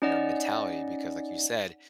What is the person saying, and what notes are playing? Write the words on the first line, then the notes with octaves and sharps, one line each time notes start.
you know, mentality because like you said,
C#4 D#4 D5 D#5 F#5